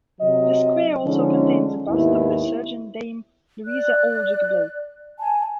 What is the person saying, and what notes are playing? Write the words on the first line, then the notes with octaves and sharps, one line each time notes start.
The square also contains a bust of the surgeon Dame Louisa Aldrich-Blake.
C3 F#3 D#5
D3 F3 G#3 C#4 D#4
D#2 G#2 B3 E4
D5 F#6
G#5 A5